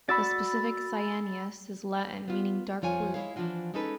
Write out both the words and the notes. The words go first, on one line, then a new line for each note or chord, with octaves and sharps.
The specific "cyaneus" is Latin, meaning "dark-blue".
F#4 D5 B5 E6 A6
B3 F4
F2 F3 F4 C#5 G#5
G#3 E4 G#4 C#5 F5
E3 F3 D4 F4 F#4
G#3 C#4 D#4 A4 B4